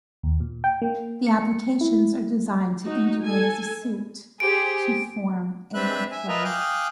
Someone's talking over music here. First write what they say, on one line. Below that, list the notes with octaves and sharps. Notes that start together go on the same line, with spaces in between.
The applications are designed to integrate as a suite, to form a workflow.
D#2
A#2
G5
A#3
C#7
E4
D#4 F#4
A4 G#5
G4 G#4 C5 D7
C4 D4 B4 E5 B5 F#6
E5 G#5
F4 A#4 B4 D#5 E5 A#5
F5 G5 G#5 D6 D#6 F#6